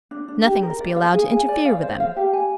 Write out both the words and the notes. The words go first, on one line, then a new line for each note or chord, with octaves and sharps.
Nothing must be allowed to interfere with them.
D4
D4
G4
A#4
D5
F5
G#4
G#5
D5
F5
C5
F5
G4
G#5